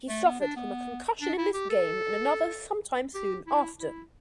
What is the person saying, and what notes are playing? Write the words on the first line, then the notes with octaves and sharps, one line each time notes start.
He suffered from a concussion in this game and another some time soon after.
A3
B3
D4
B3
D4
E4
G4
A4
G4
E4
E4